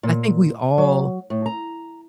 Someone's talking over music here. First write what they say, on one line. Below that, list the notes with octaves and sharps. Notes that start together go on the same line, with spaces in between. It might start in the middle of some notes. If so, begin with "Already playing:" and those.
I think we all
A#2
F#3
A2
A#5